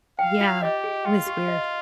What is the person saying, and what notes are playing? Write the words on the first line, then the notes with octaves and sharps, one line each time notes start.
Yeah. It was weird.
F5 G5
F4
G4 D#5
G#4
F4 G5
G4
D#5